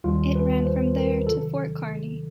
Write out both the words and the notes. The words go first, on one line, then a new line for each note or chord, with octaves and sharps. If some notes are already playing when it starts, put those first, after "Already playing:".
It ran from there to Fort Kearny.
D#2 D#3 G3 F4
B4
C5
A#4
C3 D#3 F#3 A4